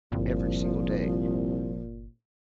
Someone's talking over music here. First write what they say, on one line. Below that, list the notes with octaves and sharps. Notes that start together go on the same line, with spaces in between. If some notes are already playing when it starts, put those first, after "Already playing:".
every single day.
G1 C2 A#2 F3